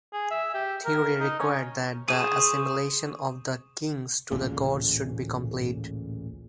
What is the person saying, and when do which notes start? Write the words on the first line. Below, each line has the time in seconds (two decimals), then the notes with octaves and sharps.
Theory required that the assimilation of the kings to the gods should be complete.
0.13 G#4
0.31 E5
0.54 G4
0.85 A#4
1.20 D#4
1.39 C#4
2.08 G#4 C5 C#6 D#6 D#7 E7
4.31 A1 D2 A#2 C#3